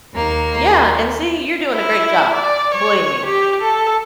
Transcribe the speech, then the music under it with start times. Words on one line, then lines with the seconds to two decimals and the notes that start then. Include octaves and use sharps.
Yeah, and see, you're doing a great job, believe me.
0.15 D#2 A#3
1.74 E4
2.33 D5
2.74 C#5
3.26 G4
3.62 A4